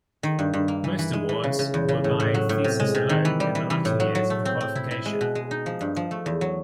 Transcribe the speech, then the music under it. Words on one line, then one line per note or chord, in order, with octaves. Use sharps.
Most awards were by thesis alone in the latter years of the qualification.
D#3
G2
G2
A#3
E3
E3
G#3
E3
C#3
C#3
E2
C#3
A2
A2
F#3
A2
C3
G#3
C3
D#3
E3
G3
E3
E3
A2
F#3
F#3
A3
C4
C4
E4
E4
G#3
B2
G#3
D#4
F3
G2
F3
A3
E2
F#3